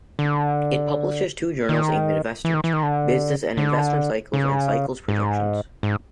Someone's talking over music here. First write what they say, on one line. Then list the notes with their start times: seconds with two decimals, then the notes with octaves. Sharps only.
It publishes two journals aimed at investors, "Business and Investment Cycles" and "Cycles Projections".
0.19 D3
1.69 D#3
2.45 E3
2.54 D#3
2.64 E3
2.73 D#3
2.83 D3
3.57 D3
4.33 C#3
5.08 G#2
5.83 G#2